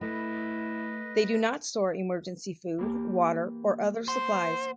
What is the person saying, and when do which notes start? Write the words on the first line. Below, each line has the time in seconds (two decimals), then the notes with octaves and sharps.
They do not store emergency food, water or other supplies.
0.01 A3 E4 B4 D#5
2.78 E3 A#3 G4
4.08 C5 F#5